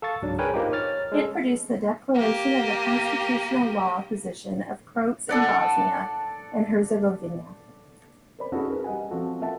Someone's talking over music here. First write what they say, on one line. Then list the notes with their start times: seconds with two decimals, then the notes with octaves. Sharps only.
It produced the "Declaration of the constitutional-law position of Croats in Bosnia and Herzegovina".
0.02 A4 F5 C#6 A6
0.22 C#2 G#2 F#3 D4
0.38 G#4 A#4 B4 C#5 G5 G#5
0.52 A#3 D#4 F4 G4 A#4 C5
0.72 C#5 F6 A6
1.12 G#3 C#4 A4
2.15 A#3 G4
5.29 A4 D5 F#5
8.39 A#4 C5 D5 B5
8.52 C#4 D#4 E4 F#4 G#4 A4
8.67 G#4 A#4 B4
8.84 G3 D#5 F#5 G#5
9.11 F3 C4 F#4 A4
9.41 A#3 F4 A4 E5 F#5 A5